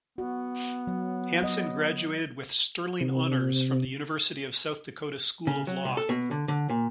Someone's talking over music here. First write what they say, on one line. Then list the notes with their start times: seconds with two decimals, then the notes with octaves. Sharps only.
Hansen graduated with "Sterling Honors" from the University of South Dakota School of Law.
0.18 B3 F#4
0.87 F#3
1.42 F#3 D#5
3.01 C3
5.47 C#3
5.67 F#3
5.85 C2
5.97 A4
6.09 B2
6.31 D3
6.48 D3
6.70 A#2